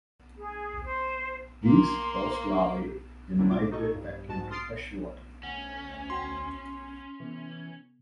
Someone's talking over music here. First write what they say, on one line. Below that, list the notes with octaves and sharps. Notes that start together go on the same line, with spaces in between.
These postlarvae then migrate back into fresh water.
G#4
C5
A#3 C6
D3 F#3 A#3 C4 D4 E4
B2 F4 D6
D#4 F#4 A4 D#5 C#6
G2
G#2 F#4 A5
C6 D#6 F6 A6 C7 D7
D2 C#4 F#5
F#4 F#5 G5 C6
C3 E3 B3